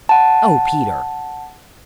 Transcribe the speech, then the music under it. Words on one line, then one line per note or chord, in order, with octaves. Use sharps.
"Oh, Peter!"
F#5 A5